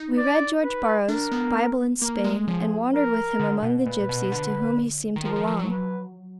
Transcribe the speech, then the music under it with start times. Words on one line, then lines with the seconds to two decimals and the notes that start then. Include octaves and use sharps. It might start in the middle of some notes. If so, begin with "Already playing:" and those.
We read George Borrow's "Bible in Spain," and wandered with him among the gypsies to whom he seemed to belong.
Already playing: D#4
0.17 D5
0.63 B4
1.08 D4 A#4
1.32 B3
2.02 A#3 A#4
2.24 G#3
2.47 F3 G#4
2.94 A#4
3.40 D3
3.63 B2
3.86 A#2 B4
4.09 B2
4.23 B2
4.32 D3
5.16 D#3
5.24 F3 A#4
5.36 F3
5.48 F3
5.59 F#3
5.70 B4